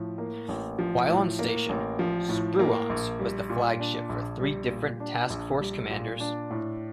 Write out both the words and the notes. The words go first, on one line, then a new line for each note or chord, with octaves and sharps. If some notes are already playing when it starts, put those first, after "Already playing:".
While on station, "Spruance" was the flagship for three different task force commanders.
Already playing: A2 F3
A#3
A1
F3
A2
A#3
A1
F3
A2
A#3
A#1
G3
A#2
D4
A#1
G3
A#2
D4
A#1
G3
A#2
D4
A2